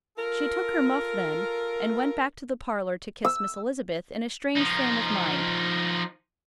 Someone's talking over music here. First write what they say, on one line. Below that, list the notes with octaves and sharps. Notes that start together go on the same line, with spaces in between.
She took her muff then, and went back to the parlor to kiss Miss Elizabeth, in a strange frame of mind.
F4 A4 A#4
E6
F3 D#4